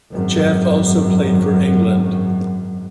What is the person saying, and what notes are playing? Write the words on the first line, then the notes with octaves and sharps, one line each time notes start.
Geoff also played for England.
G#1 F#2